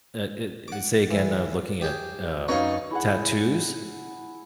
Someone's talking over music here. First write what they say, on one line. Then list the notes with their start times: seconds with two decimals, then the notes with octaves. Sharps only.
Eh eh, uh, say again, uh, looking at, um, tattoos?
0.68 F#5 D6
1.11 E3
1.82 G4 G#4
2.48 F#2 D#4 B4 C#5 F5 C#6
2.91 E4 G#4 F#5